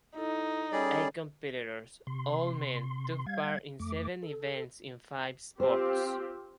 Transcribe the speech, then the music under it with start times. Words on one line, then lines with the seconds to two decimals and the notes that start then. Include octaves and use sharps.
Eight competitors, all men, took part in seven events in five sports.
0.17 D#4 E4 A4
0.72 G3 C#4 G#4 A4 C#5 D5
2.07 C3 C6
3.26 G3 F5 G#6
3.80 F2 A3 D6
4.23 A4
5.60 C4 F4 G4 C5